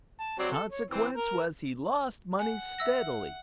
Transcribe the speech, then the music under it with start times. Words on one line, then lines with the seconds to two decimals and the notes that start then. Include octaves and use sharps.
Consequence was he lost money steadily.
0.20 A5
0.39 F#3 C4 D5
0.51 A4
0.71 C#5
0.91 E3 C4
1.17 A#4
2.39 F#5 G#5
2.78 E5 E6 A#6